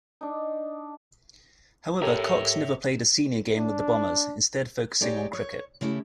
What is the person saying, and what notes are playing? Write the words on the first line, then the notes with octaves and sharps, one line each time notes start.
However, Cox never played a senior game with the Bombers, instead focusing on cricket.
D4 D#4
G4 A4 A#4 C#5 E5
D4
G#3 D#4 G4 C#5 D5
C#5
C#3 A3 E4 G4